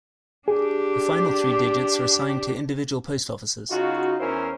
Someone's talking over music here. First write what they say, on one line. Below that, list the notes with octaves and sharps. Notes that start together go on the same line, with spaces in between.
The final three digits are assigned to individual post offices.
D4 G4 G#4
C#3 D#4 F4 F#4
E2 C#4 E4 A#4 C5